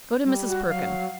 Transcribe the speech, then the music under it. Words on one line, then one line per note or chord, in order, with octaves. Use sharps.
Go to Mrs. Perkin.
G3
F#4
F#3 F5